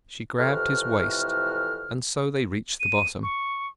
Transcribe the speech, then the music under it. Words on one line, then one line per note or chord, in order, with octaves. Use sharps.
She grasped his waist, and so they reached the bottom.
F2 A2 C3 E3 F#4 F6
D#7
C#6